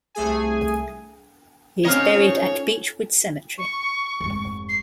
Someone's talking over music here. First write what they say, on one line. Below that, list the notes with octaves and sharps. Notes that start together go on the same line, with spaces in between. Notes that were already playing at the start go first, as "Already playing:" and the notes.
He is buried at Beechwood Cemetery.
C2 A3 G#4 G#5
A2 C4 C#4 D#4 C#5 D#5 F5
C#6
F1 G#2
C7